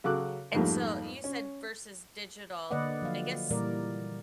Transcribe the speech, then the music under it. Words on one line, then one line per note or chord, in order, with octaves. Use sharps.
And, so, you said, versus digital I guess
C#3 F#3 A4 D6 F#6
F2 G#2 G3 A3 A#3
C#4
D3 A#3 B4 D5 D#5 F#5
F3 F#3 F5
A#2 E3 G3 A#4 D5